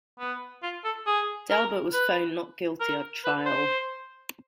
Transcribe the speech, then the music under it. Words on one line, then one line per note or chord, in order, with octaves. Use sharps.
Delbert was found not guilty at trial.
B3
F4
A4
G#4
A#4
B4
A#4
B4
C5